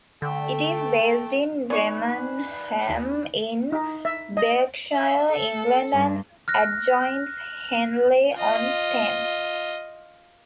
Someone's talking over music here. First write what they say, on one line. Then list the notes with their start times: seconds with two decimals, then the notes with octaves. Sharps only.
It is based in Remenham in Berkshire, England and adjoins Henley-on-Thames.
0.22 D3 A3 G5
1.70 B3 D#4 B4 C#5 D5 G#5 C#6
2.89 D#2
3.72 D#4
4.05 E5
4.37 D#5
4.92 E5
5.29 A4
5.93 G2
6.48 F6 F#6 A#6
8.35 F4 D#5